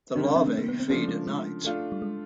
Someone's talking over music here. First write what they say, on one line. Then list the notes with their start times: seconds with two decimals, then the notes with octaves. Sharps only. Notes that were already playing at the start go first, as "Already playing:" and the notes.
The larvae feed at night.
0.15 C3 D#3 G3 D4
0.25 C#4
0.36 C4 D4
0.47 A3
0.58 A#3
0.68 B3
0.80 C4
0.90 C#3 F3 A3 B3 C#4 D4
1.08 G#3
1.27 G#3
1.64 A3 D4 F4
1.92 G3
2.02 G#3